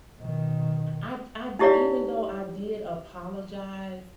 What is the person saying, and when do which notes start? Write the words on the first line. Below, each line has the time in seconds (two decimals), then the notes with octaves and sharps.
I d I di even though I did apologize,
0.20 B2 D#3
1.59 D#4 E4 G4 C#5 D5 F5